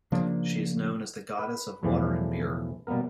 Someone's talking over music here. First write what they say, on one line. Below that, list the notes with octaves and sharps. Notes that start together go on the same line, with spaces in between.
She is known as the goddess of water and beer.
C#3 F3 A#3 D4
B4
B1 E2 A2 E3 F3 D5
B2 G3 A#3 B3 A#4